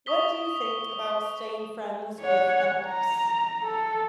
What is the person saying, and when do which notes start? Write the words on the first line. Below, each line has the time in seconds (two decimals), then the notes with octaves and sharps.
What do you think about staying friends with an ex?
0.06 C#6 D#6 B6 G7
2.21 C#5 F#5
2.87 A#5
3.63 A4